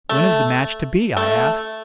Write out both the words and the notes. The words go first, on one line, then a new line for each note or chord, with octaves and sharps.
"When is the match to be?" I asked.
A3
A3